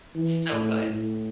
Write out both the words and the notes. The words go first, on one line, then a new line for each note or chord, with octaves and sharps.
So good.
E3
A2
A2